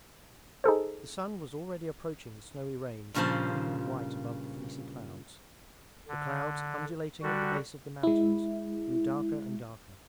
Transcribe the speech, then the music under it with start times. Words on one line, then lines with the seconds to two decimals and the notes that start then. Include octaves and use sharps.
The sun was already approaching the snowy range that gleamed white above the fleecy clouds. The clouds undulating at the base of the mountains grew darker and darker.
0.64 D#4 G#4 A4 C5
3.14 G2 A#2 C#3 F3 C5 A5
6.08 D3
7.22 D3 G3 F#4
8.03 G#3 E4